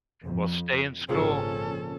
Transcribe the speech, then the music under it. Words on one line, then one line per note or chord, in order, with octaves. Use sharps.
Well, stay in school.
F2
G#1 A#2 C#3 F3 C4 C#4 A4